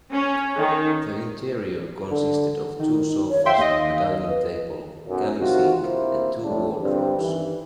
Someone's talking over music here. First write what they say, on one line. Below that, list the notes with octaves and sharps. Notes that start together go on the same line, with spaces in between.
The interior consisted of two sofas, a dining table, galley sink and two wardrobes.
C#4
D#3
D3
D#3 D#4
C#5
E5 F5 G5 C6
D#2 D#5
B4
B1 F#2
C3 D#3 F4 F#4
A#1 C3 A#3 E4 C5
A2 C#3 G3 D4
G2 D3 G3 C4
G2 D#3 E3